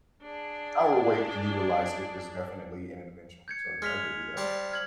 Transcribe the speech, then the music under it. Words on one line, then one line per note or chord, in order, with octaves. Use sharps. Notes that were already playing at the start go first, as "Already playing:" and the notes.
Our way to utilize it is definitely an invention, so, yeah, I'll give you that.
D4 G#4
G6 G#6 C#7
G#3 F6 B6 F7
G3 C4 A5
F6 G#6 F#7